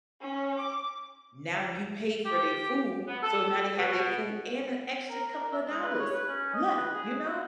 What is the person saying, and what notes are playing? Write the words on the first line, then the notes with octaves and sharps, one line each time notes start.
now you pay for their food. So now they have their food and an extra couple of dollars left, you know?
C#4
D6
G4
B3
A4
B2
A#4
A#4
E5
G#3
B4
C#5
B4
C#4
D#5
B4
G#4
F#4